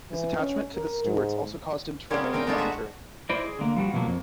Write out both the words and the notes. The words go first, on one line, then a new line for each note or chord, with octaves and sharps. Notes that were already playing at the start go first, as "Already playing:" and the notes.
His attachment to the Stuarts also caused him to remain a non-juror.
E3
C#4
A#4
G#2
C#3 G3 G#3 A#3 B3 C#4
C4 D#4 A#4 D#5 G5
G#3 A3 B3 D4 D#4 F4
B3 F#4 E5
E4 C5 D5 D#5
G#4
D3 A#3
F3 G3 F#4
B2 D3 F3 F#3 A#3
F2